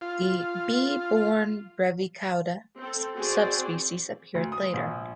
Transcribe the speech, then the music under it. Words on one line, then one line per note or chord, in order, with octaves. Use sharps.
The "B. born brevicauda" subspecies appeared later.
F4
C4 A4
C4 F#4 G#4 C5 D5
D2
D#6
A#1